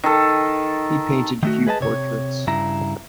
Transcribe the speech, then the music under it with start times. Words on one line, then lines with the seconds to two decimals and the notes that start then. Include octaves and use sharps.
He painted few portraits.
0.04 D#3 A4
1.43 D#3 A3 F#4
1.67 G#4 B4 D#5 F5 A5
1.80 C3 C#5
2.47 G2 C#3 E4 A#5